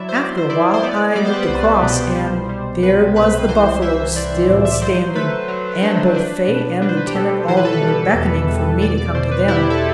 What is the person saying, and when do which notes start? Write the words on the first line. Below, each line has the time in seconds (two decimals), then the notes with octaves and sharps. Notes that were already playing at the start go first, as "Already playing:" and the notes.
After a while I looked across, and there was the buffalo still standing, and both Faye and Lieutenant Alden were beckoning for me to come to them.
Already playing: F#3 E4 D5 E5
0.09 C5
0.16 F#3 D5
0.37 C5
0.49 E4 D5
0.74 C5
0.83 B3 D5
1.15 G3 D5
1.25 C5
1.33 B4
1.42 C5
1.49 C2
1.82 B2
2.15 G3
2.49 G3
2.82 C2 B4
3.16 C2 B4
3.49 E3 C5
3.82 E3 E5
4.16 E3 D5
4.24 E5
4.32 D5
4.49 A2
4.65 E5
4.74 D5
4.82 F#3 C5
5.15 A3 B4
5.48 F#3
5.82 D4
6.15 D4
6.48 B2
6.82 D4 B4
6.89 C5
6.97 B4
7.07 G4
7.15 B2 A4
7.48 E3 C5
7.57 B4
7.65 A4
7.73 B4
7.81 G3
8.14 E2
8.47 E2
8.81 B2 D5
8.98 D5
9.14 B2 C5
9.31 B4
9.48 E4 G4
9.70 A4